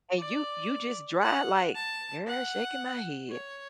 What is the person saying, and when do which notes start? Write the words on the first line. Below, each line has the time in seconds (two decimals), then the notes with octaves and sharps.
And you you just dry like, "Girl, shaking my head.
0.19 D5
1.22 F#5
1.75 A5
2.27 F#5
3.31 C#5